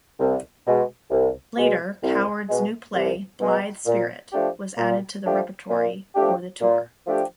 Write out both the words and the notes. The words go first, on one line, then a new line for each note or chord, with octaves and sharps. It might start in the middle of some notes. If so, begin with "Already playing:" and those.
Later Coward's new play "Blithe Spirit" was added to the repertory for the tour.
C2
B2 G#3
C2
B2 G#3
C2
B2 G#3
C2
B2 G#3
A#2
F3 A3 D4 G4
A#2
F3 A3 D4 G4
A#2
F3 A3 D4 G4
A#2
F3 A3 D4 G4